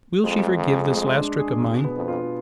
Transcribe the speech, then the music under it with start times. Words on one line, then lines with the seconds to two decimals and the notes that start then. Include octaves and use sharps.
Will she forgive this last trick of mine?
0.24 F2 G#3
0.47 G#3
0.69 G#4
0.93 G#3
1.15 D4
1.39 G#4
1.62 B2
1.84 B3
1.96 F2
2.08 F4